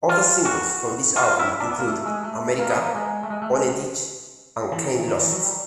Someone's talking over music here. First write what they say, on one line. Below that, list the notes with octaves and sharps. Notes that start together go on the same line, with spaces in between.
Other singles from this album include "Amerika", "Ohne dich" and "Keine Lust".
F4
F#4
F4
F#4
F4
E4
D4
B3
A#3
A3
G#3
A3
A#3
B3
A#3
G#3
A3
G#3
A3
G#3
E3
D#3
E3
D#3
E3
F#3
G3